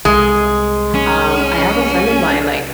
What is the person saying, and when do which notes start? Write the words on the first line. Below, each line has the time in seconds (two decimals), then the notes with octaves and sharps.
Um, I have a friend of mine, like,
0.05 C2 G#3
0.95 C#4